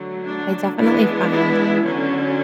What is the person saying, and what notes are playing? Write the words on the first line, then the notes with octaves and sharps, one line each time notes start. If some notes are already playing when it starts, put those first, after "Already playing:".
I definitely find, um
Already playing: D3 F#3 A3
D4
E3 G#3 B3 D4 E4
E4
D3 F#3 C#4